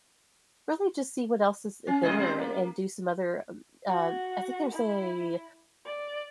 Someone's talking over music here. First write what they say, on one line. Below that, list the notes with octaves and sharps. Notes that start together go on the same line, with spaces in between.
really just see what else is, eh there and and do some other, um uh, I think there's a
C#4
A#2 G#3 D#5
G3 G#3 C4
A#3
F#4
E4
D5